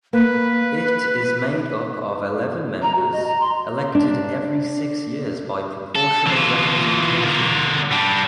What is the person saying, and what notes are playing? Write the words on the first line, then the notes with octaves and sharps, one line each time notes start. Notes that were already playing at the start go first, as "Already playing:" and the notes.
It is made up of eleven members, elected every six years by proportional representation.
A#3 B4
A#5
F#4
D#5
A#5
C6
D4
A4
E3 F4
D3 A#4
G3 D4